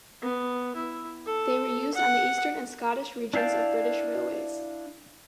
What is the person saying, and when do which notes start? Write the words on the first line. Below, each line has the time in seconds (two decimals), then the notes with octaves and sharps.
They were used on the Eastern and Scottish Regions of British Railways.
0.22 B3
0.76 E4
1.26 A4
1.95 F#5
3.34 D4 E4 F5 G5 A5